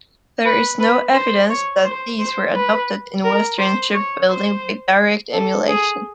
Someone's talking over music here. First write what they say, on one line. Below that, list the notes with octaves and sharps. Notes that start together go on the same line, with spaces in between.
There is no evidence that these were adopted in Western shipbuilding by direct emulation.
B4
B4
C5
C#5
C5
C5
B4
A#4
C5
C#5
C5
A4
G#4